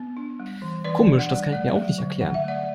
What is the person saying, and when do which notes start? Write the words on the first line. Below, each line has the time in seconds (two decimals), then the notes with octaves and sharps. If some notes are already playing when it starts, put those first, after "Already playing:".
Komisch, das kann ich mir auch nicht erklären.
Already playing: B3
0.17 D4
0.40 G3
0.62 E3
0.84 E3 B4 D5
1.08 D4
1.19 D5 F#5
1.30 G3
1.52 A3 D5 F#5
1.76 F#3
1.98 D3
2.21 D3 F#5
2.34 E5
2.44 A3 D5 F#5